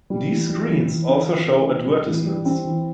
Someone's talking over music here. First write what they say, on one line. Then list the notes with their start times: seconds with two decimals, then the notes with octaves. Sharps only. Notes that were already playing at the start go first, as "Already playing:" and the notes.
These screens also show advertisements.
0.10 G3
0.30 E3
0.49 G3
0.69 E3
0.88 E3
1.08 C4
1.28 E3
1.47 C4
1.67 C4
1.87 G3
2.06 E3
2.26 G3
2.45 C4
2.65 E3